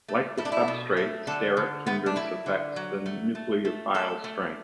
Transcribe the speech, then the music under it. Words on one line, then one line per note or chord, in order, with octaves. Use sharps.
Like the substrate, steric hindrance affects the nucleophile's strength.
A3
A3 E4
D4
E4
B2
A3
D3 A4
D3
A3 B3
D4
F#3 E4
D3
F#3
A3
A3
A3
A3 A4
A3